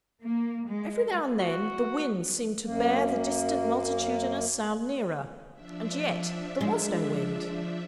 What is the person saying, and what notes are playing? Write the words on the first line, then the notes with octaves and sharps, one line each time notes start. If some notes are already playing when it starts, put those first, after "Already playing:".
Every now and then, the wind seemed to bear the distant multitudinous sound nearer; and yet there was no wind!
A#3
G#3
F#4
F#2 A#3
F3 D4 E5
G#3